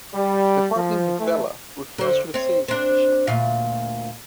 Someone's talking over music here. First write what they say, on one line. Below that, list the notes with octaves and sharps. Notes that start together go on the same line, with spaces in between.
The part named "Vela" refers to the sails of the ship.
G3
F3
E3 A3
D3 C5
C4 C#5
C4 D4
D2 A#2 F5